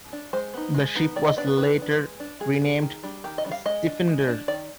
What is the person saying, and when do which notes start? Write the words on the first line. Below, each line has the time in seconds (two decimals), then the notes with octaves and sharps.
The ship was later renamed Stifinder.
0.13 D4
0.33 G#3 C5
0.54 B3 D#4
0.74 G#3
0.95 B3 D#4
1.16 D#3 D5
1.27 D#5
1.37 B3 D4 D5
1.47 B4
1.57 D#3 B4
1.78 B3 D4
1.99 G#3
2.20 D4
2.40 G#3 G#4
2.62 D4
2.82 D#3
3.03 G3 D4
3.24 D#3 G4
3.38 D#5
3.45 G3 D4
3.51 F5
3.66 G#3 D#5
3.87 D4
4.08 G#3
4.28 D4
4.48 D#3 D5